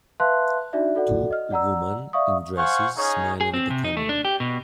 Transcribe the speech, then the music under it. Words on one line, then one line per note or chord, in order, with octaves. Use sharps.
Two woman in dresses smiling at the camera.
B4 E5 F5 A5 C6 F#6
D4 D#4 F#4 D5 E5
F#4 A4 D5 F#5
D#5 F6
D5 F#5 A#5 E6
D5 E5 F5 C#6 D#6
C5 F5 F#5 G#5 C#6
C#4 D#4 G#4 C#5
G#4
C4
C3
D#4
A3
D4
G4
B2